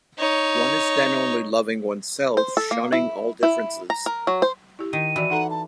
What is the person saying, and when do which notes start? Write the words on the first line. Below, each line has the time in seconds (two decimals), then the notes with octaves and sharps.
One is then only loving oneself, shunning all differences.
0.19 D#4 C#5
2.37 C5
2.57 A4
2.71 A#3
2.92 E4
3.43 E4
3.90 A#5
4.06 A#4
4.27 F#3
4.42 C5
4.79 E4 G4
4.93 D#3 D#7
5.16 E3 F#4 D5
5.30 D#4 A4 F#5 A#5
5.50 A5